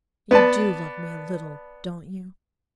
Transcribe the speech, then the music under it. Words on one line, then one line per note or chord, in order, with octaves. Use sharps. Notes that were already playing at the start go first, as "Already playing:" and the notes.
You do love me a little, don't you?
B3 B4 D5 A5